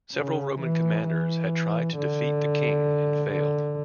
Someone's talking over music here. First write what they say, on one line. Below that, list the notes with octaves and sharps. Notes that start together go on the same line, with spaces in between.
Several Roman commanders had tried to defeat the king and failed.
C#3
E3
E3
D3
D3